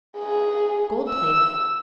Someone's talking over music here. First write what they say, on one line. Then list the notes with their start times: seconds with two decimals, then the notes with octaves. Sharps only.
Gold Plated.
0.18 G#4
1.09 E6